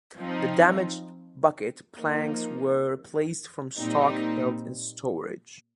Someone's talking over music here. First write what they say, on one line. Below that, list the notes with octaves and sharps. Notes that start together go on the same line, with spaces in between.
The damaged bucket planks were replaced from stock held in storage.
F3 C4 D#4
F3 A#3 D#4
A#2 G3 C4 D#4